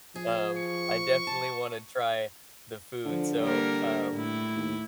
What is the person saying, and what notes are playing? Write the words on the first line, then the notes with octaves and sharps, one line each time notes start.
um, I definitely wanna try the food. So, um,
F3 G#4
C#6
A5
D3 F3
G3 A#3 A#4
A2 E4
D#2